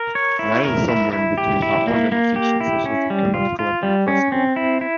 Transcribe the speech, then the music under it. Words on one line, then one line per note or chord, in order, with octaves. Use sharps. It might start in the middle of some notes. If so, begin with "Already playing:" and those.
Lying somewhere in between are organisations such as the Kennel Club and Press Club.
Already playing: A#4
C#5
E4
A#4
E4
E4
G4
E4
A#3
A#3
G4
E4
C#4
G3
F4
F4
G3
C#4
C4
E4
E4